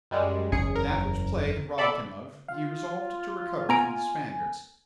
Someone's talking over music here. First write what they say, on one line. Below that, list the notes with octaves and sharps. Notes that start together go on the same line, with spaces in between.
That which play had robbed him of, he resolved to recover from the Spaniards.
F#2 G3 G#3
F#1 E2 C#4 G#4 C#7
A#4
A4 D5 B5
F4 F5
B3 G#5 A#5 D7